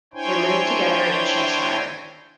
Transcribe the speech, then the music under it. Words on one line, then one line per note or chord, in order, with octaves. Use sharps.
They live together in Cheshire.
D4 E4 C5 C#5 G5 G#5